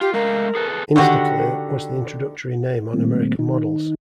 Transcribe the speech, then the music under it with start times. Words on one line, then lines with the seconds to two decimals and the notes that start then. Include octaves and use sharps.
"Instaclear" was the introductory name on American models.
0.01 F4 G4
0.14 G#3 A3 A#4 F5
0.55 G#4 A4 B4
0.96 D3 D#3 F#3 F#4 G4
2.94 A#2 D#3 G3 A3 A#3 C4
3.39 D#3 D#4